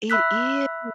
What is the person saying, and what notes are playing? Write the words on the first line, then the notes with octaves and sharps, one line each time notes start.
It is.
E5 B5 E6 F#6 B6